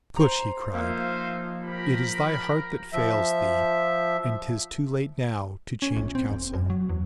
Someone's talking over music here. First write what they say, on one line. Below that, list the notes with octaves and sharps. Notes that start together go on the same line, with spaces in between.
'Tush!' he cried; 'it is thy heart that fails thee, and 'tis too late now to change counsel.
C5 A#5
F3 A#3 D#4 C5 E5 F5
G4 A#4 B5
F3 E5
C#4
A#1
C4
E1
F#2
F#3
E2